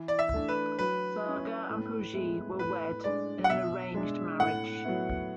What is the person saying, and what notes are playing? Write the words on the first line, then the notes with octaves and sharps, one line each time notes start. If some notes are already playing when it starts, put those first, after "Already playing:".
Saga and Pujie were wed in an arranged marriage.
Already playing: E3
D5
E5
A3 D4
B4
F#3 B4
C#4 E4
A2
G#3 B3 E4
A2 B4
G#3 D4 D5
F#5
B2 E5
G#3 D4
A2 F#5
F#3 B3 E4